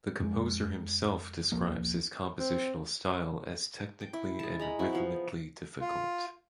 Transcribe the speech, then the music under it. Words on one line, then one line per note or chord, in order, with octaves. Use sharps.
The composer himself describes his compositional style as technically and rhythmically difficult.
F2 G#3
D#1 A#1 F3 A#3
C4
G5
E4
G#4 A5
G#3 A#5 B5
C4 E4 F#4
F3 B3
F4